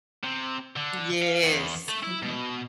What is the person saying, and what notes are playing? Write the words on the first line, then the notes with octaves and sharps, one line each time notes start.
Yes. Mhm.
C3
D3
F5
E2
A3
E4
B2